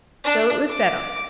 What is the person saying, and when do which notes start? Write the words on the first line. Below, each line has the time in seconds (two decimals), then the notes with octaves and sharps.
So it was settled.
0.24 D4
0.70 D6